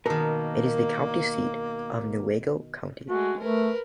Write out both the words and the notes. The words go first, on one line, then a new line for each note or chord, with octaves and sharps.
It is the county seat of Newaygo County.
B2 D#3 A#3 A#4 A5
G#3 A3 F#4
A3 A#4 B4